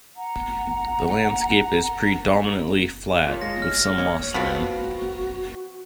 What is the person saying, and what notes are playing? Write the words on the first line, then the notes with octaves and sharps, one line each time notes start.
The landscape is predominantly flat, with some mossland.
F#5 A#5
D#2 F4 C#5
G#3 C#5 F5 A#6
F6
G1 A#3 C#5
F3 B3 C4 F#4